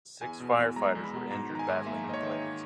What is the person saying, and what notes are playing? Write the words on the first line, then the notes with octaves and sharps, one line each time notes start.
Six firefighters were injured battling the blaze.
E2 G#5
B2
E2
G#3 A#5
E2
B5
B2
G#2 A#5
D#3
A#5
G#5
G#2
A#3 E5
G#2
D#5
C#5
D#3